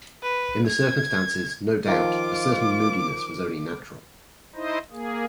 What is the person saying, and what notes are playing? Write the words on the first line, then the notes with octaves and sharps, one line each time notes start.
In the circumstances, no doubt, a certain moodiness was only natural.
B4
G#6
D#3 F3 F4 D6
D#4 E4 C5 D#5
A#3 G#4